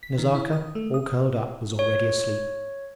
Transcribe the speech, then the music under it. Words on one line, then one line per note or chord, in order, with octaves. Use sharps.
Nazarka, all curled up, was already asleep.
B6
D#3
E4
D#6
A3
D#6
C#5